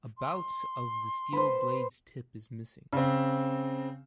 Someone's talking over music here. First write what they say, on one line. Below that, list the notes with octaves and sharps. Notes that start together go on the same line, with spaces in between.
About of the steel blade's tip is missing.
C6
B4 C5
C#3 C4